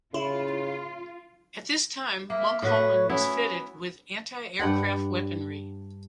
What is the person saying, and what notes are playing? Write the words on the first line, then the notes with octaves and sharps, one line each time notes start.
At this time, Munkholmen was fitted with anti-aircraft weaponry.
C#3 E4 F4
A#3 E5
A2 F#4 B4 C#5
B3 C#4 E4
G2 D4 F#5 G5